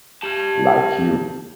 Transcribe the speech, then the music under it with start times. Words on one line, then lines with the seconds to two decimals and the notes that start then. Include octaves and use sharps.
Like you.
0.22 G4 A5